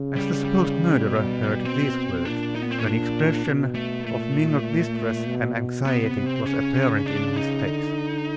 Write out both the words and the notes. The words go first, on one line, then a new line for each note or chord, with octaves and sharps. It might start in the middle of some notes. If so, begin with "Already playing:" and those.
As the supposed murderer heard these words, an expression of mingled distress and anxiety was apparent in his face.
Already playing: C#3
G3
G3
B2
C4
A#2 D4
D#4
B3
C4
C#4
D4
B2
A3
A#2 A3
B2
B2
C3 B3
B3
C3
C4
C#3 C#4
D4
D#4
D3